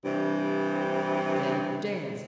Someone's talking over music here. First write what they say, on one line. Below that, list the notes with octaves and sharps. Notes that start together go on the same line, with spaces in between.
Then dance!
G2 C3 E3